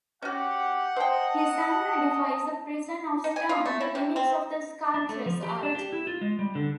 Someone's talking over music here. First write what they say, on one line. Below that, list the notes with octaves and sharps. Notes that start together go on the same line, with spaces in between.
His anger defies the prison of stone, the limits of the sculptor's art.
C#4 F#4 G4 F#5
C5 D#5 G5 A5
D#4
G#5
F4
A3
E4
C3
C4
D4
A3
F3
G4
D4
G4
E4
F4
G#3
G3
D3